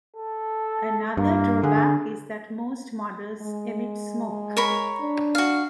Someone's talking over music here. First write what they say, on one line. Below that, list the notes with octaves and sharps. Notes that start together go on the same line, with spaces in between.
Another drawback is that most models emit smoke.
A4
G2 A#3
D3 G#4
G#3
A#4 C#5 B5
D4
F#4 F5